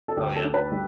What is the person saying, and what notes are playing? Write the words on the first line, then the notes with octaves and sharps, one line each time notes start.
Oh, yeah.
A4
D2 G4
A4
D3
B4
G3